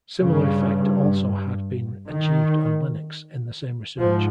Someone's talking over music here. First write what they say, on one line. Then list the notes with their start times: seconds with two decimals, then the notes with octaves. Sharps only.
Similar effect also had been achieved on Linux in the same research.
0.21 G2 C#3
2.09 D#3
3.98 G#2 F3